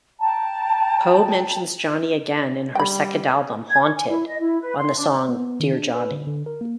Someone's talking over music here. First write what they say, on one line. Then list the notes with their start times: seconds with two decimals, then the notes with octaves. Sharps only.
Poe mentions Johnny again in her second album, "Haunted", on the song "Dear Johnny".
0.20 G5 A5 A#5
2.75 G3 G5 B5
3.69 G#6
3.81 C#6
3.95 G#5
4.08 E4
4.26 D#5
4.39 E4
4.60 B4
4.77 C6
4.97 D4
5.29 B3
5.60 D#3
5.73 D4
5.94 B4
6.11 D3
6.27 D3
6.46 A#4
6.61 A#3